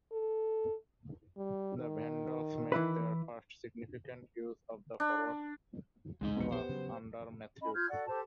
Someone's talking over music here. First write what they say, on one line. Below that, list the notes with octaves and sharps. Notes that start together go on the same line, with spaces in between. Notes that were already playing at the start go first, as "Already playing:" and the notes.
The Vandals made their first significant use of the forward pass under Mathews.
A4
G3
D#3
E3 E4 B4
D4
C#2 G#2 G#3 D#4 D#5
A#1 E2 B2 C4 C#7
B3 G4 C5
C#3 F#3
C#4 D#5 B5
F4 F6 G6 G#6
F#4 A4 D5 F#5
G4 A4 C5 A5